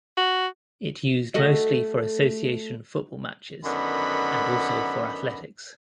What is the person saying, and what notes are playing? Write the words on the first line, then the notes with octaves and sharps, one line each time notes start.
It used mostly for association football matches and also for athletics.
F#4
A3 F#4 D#5
F#2 D3 D#3 B3 B5